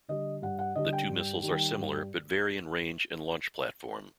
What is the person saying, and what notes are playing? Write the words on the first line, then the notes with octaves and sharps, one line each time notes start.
The two missiles are similar, but vary in range and launch platform.
D3 G3 D#5
G2 F#5
F#5
D3 G3 D#5
G5
G2
D#3 G3
G2